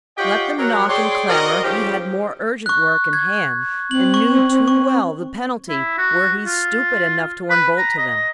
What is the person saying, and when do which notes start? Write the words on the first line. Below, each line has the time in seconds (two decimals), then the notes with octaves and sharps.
Let them knock and clamour; he had more urgent work in hand, and knew too well the penalty were he stupid enough to unbolt to them.
0.17 F4 G4 C#5 D#5 F#5 G5
0.57 F#3 A#4
0.88 G#4 C#5 D5 G5 C6
1.28 F#4 A#4 C5 D5 D#5
1.63 G#2 F3 C#4 G4
2.66 C#6 F#6
3.13 G#6
3.91 C4 F#7
4.14 C#6
4.68 C#6
5.68 E4
5.98 F#4
6.46 F4
7.50 B4
7.78 A#5
7.98 D#5